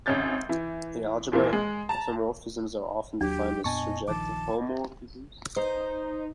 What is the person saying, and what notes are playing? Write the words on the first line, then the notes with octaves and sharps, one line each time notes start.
In algebra, epimorphisms are often defined as surjective homomorphisms.
G#1 C3 C#4 G6 A6
E3
D#2 A#2 E3 A#3
G#3
A5 A#5
D#2 F#3 D4 G4
F2 A#2 B3 D#5 G#5 A5 C#6
A#1 D#3 F3 A5 D6
D#4 C5